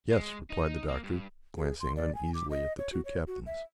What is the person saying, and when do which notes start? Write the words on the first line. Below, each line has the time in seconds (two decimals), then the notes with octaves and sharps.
"Yes," replied the Doctor, glancing uneasily at the two captains.
0.11 G#3
0.50 D#4
0.88 A#3
1.04 G2
1.57 G#4
1.80 C6
1.96 D5
2.15 G#5
2.34 D6
2.50 D#5
2.78 C#5
2.92 F#4
3.05 C#5
3.27 F#4
3.46 E5